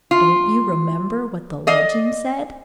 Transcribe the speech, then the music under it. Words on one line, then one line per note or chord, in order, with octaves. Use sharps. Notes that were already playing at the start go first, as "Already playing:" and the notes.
Don't you remember what the legend said?
F4
D5 D#5 F5